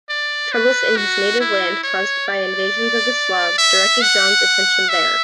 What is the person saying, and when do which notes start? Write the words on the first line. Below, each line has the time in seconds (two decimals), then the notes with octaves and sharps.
Troubles in his native land caused by invasions of Slavs directed John's attention there.
0.09 D5
0.53 B4
0.97 F#4
1.40 E4
1.84 C#5
2.27 D5
3.58 E5
4.02 F#5
4.89 E5